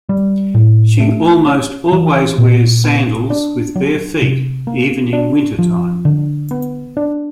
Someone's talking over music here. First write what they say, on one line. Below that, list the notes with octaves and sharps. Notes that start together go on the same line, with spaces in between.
She almost always wears sandals with bare feet, even in wintertime.
G3
A2
A3
C#4
E3
A#2
B3
D4
F#3
C3
A#3
D4
F3
D3
B3
D4